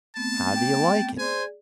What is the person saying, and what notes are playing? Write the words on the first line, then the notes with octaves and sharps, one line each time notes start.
How do you like it?
A3 B3 C4 A5
G5
G#4 C5 D5 G#5